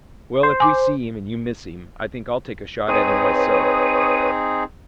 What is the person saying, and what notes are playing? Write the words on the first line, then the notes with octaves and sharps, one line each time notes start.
"Well, if we see him, and you miss him, I think I'll take a shot at him myself."
C5
G#5 D6
C4 D#4 G#4 B4 C#5 D#6